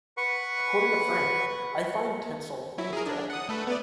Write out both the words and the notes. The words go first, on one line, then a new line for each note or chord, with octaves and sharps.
According to Frank, I find tinsel distracting.
B4 F#5 C#6
F#3 E4
G#4 A#4
D4
F#5 D#6
A3 A4 B4
B3 B4 D5